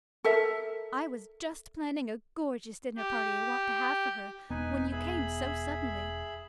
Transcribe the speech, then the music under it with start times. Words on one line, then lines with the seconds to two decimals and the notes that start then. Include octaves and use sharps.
I was just planning a gorgeous dinner-party I want to have for her when you came so suddenly.
0.24 A4 A#4 E5
2.97 G4
4.50 E1 B3 D#4 B4 G#5
4.92 G#4 E5 B5